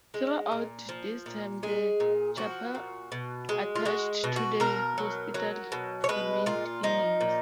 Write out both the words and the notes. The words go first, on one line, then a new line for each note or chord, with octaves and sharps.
Throughout this time the chapel attached to the hospital remained in use.
G#3
A#2
F3
A#2
G#3 G#4
A#2
F3 F#4
A#2
B2
G#3
F4
G#3 F#4
B2
F#4
B2 A#4
F#3
F#3
B2
C#5
G#3 B4
A#2 F4
F3 D#4
A#2